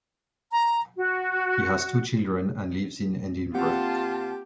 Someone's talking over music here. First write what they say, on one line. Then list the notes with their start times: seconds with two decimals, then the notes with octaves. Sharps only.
He has two children and lives in Edinburgh.
0.52 A#5
0.96 F#4
3.55 A#3 C4 F4 G4 F#5 A5